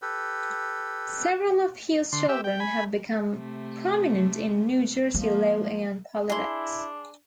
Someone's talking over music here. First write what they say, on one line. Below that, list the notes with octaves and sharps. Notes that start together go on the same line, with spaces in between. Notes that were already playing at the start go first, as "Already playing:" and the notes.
Several of Hughes' children have become prominent in New Jersey law and politics.
G4 A4 B4
D3 C6
G4 E5
G5
G#5 B5
C3 A3
F3 G#3 A#3
D4 E4 G#4 C6